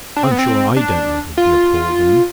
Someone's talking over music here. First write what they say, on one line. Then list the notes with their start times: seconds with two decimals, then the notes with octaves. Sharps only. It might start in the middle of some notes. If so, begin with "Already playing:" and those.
I'm sure I don't know who'd be a poor woman!
0.16 D4
0.23 C4
0.31 B3
0.39 C4
0.77 D4
1.38 F4